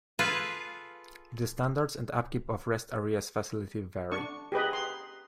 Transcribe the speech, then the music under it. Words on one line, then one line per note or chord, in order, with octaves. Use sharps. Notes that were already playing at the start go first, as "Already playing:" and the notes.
The standards and upkeep of rest areas facilities vary.
F4 G#4 A4 B4 F5
D4 C#6
G4 G#4 B4 D#5
C6